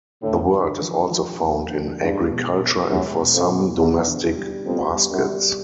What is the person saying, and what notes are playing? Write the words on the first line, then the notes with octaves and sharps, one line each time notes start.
The word is also found in agriculture and for some domestic baskets.
A2 D3
D3
F3
F3
A#3
D3
G2 G#3
B2
B2
F#2 G#3
B2
F2
B2
E2 B3
D3
G3
F2 B3
G3
F#2
G3